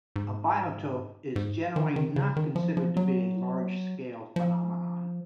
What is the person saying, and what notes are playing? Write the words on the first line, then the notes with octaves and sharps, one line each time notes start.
A biotope is generally not considered to be a large-scale phenomenon.
G#2
G#2
D#3
D#3
C#3
D#3
F3
F3
F#3
F3